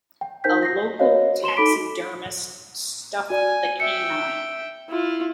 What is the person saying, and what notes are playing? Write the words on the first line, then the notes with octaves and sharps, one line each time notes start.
A local taxidermist stuffed the canine.
G5
D#4 A#4 C5 G5 G6 B6
A#6 C7
F#4 A#4 C5 C#5 D#5 F5
F#4 C6 E7 G7
D#4 A4 B5 D6 B6 D7
F#4 D5 G#5
E5 G5 C#7
E4 F4